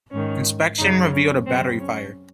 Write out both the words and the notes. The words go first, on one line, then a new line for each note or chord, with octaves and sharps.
Inspection revealed a battery fire.
G#2 D#3 C#4
F#2 C#3 D#4
C#4
F#2 C#3 C4
C#4